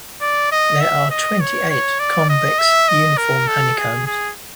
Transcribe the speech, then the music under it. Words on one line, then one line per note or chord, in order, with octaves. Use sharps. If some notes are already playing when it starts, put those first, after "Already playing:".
There are twenty-eight convex uniform honeycombs.
D5
D#5
E5
D#5
C#5
C#5
D5
D#5
E5
D#5
A#4
A4
G#4
G#4